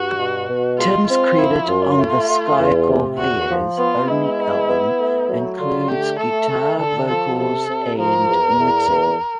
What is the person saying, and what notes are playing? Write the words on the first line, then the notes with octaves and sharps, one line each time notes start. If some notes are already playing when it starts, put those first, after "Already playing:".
Tim's credit on The Sky Corvair's only album includes, guitar, vocals, and mixing.
Already playing: G2 F#4
B2
B2
G#3 F4
C4 F4
F3 E4
F#2 F4
A3
A3
E2
C3
E2 F#4
F3
B3 F4
G#3 E4
B3
B3
A3
F#3
D3 F4
A3 G4
A3 A4
A3
D3 A4
F3 A4
C3 A4
C3
F3 A#4
E2
E2
E2